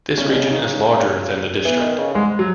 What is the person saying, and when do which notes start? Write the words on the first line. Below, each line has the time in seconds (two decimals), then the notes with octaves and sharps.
This region is larger than the district.
0.17 C#3 C#4
0.28 B2
0.34 C#4
0.40 C#3
0.50 D#4
1.65 E3 B3
1.81 D#3
1.98 C#3
2.14 G#2 G#3
2.39 F#3